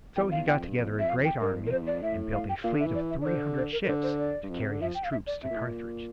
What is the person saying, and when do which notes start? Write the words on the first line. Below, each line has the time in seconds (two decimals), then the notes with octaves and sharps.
So he got together a great army and built a fleet of three hundred ships to carry his troops to Carthage.
0.16 E2 G5
0.27 F2
0.31 F5
0.38 E2
0.48 E2 G5
0.58 F2
0.68 G2
0.78 F2
0.89 E2
0.99 F2 E5
1.09 F5
1.25 G5
1.40 G2 A#4
1.51 F2
1.61 E2
1.67 A#4
1.72 F2 C5
1.81 E2
1.87 D5
1.92 F2
2.02 A2 E5
2.33 F5
2.49 G5
2.64 A#2 F5
2.74 D3
2.80 E5
2.85 E3
2.95 D5
3.10 E5
3.22 D5
3.26 D3 C5
3.58 C5
3.72 A#4
3.84 A#4
3.88 D3 C5
4.03 C5
4.19 D5
4.43 G2
4.50 F2
4.60 C3
4.70 D3
4.81 F3 E5
4.95 G5
5.04 F5
5.12 E5
5.27 D5
5.43 C3 E5
5.50 A#2
5.57 A2
5.64 A#2